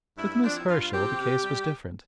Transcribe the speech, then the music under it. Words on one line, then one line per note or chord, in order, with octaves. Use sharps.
With Miss Herschel the case was different.
G2 E4
F3 C4 D4
E4
G2 F4
F3 C4 G4
C3
G3